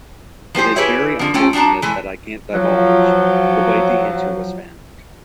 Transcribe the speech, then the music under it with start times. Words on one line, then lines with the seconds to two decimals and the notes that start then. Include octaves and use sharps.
It is very unfortunate that I can't divulge... the way the answer was found...
0.55 F3 G#3 G4 C5
0.76 E4 G4 G#4 B4 C#5 E5
1.19 D3 F3
1.34 A3 C#4 F4 G5
1.53 F3 D4 F#4 A5 A#5
1.82 E3 G#3 A3
2.53 F3 F#3